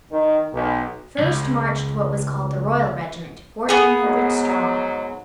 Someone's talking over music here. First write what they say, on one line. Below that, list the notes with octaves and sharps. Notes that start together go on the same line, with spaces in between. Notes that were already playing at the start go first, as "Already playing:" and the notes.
First marched what was called the Royal regiment, fourteen hundred strong.
D#3
B1
C#2 F#2
B3 G#4
G#2 F#3